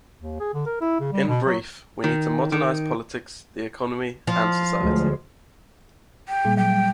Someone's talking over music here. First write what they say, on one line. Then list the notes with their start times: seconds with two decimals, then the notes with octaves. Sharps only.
In brief, we need to modernize politics, the economy, and society.
0.21 D#2
0.40 G#4
0.54 D3
0.66 A#4
0.81 E4
1.00 C#3
1.12 G3
1.28 B2
1.46 F#3
2.04 D#3
2.52 D#3
4.27 F3
4.81 D2 F#3 G#3
6.29 G5
6.45 A#2 G3 A#3
6.57 F#3 G5
6.71 G3